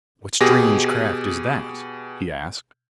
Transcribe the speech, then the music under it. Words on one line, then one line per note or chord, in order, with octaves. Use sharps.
"What strange craft is that?" he asked.
B2 G4 G#4 A#6